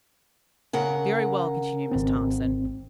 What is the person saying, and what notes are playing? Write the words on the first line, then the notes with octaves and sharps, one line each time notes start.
"Very well," continued Miss Thompson.
C#3 A#4 F#5
G#1 C4